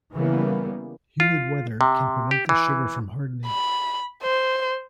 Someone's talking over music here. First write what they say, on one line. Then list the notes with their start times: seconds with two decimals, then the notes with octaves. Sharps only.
Humid weather can prevent the sugar from hardening.
0.14 C#3 E3 G3 A#3 B3
1.20 F4
1.81 C3
2.31 G4
2.49 E3
3.46 B5
4.22 C5